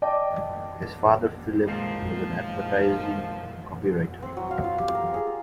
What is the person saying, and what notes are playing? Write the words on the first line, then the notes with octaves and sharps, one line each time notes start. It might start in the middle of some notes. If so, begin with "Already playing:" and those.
His father, Philip, was an advertising copywriter.
D5 D#5 G5 A5 D6
A#2 D#3 F3 G#3 C4
C4
F#3
F5
F4
G4
A#4
G#4
A#5